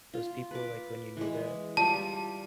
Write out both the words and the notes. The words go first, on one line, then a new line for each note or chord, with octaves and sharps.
those people, like, when you need it.
F4
B4 D6
E3 G#3
G3 F4 A5